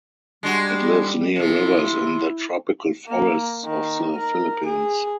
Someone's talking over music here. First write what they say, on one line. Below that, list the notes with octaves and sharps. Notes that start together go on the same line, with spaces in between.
It lives near rivers in the tropical forests of the Philippines.
G3 G#3 D4 F#4
C3 F3
E4
A#3
D#3
A#4
G#4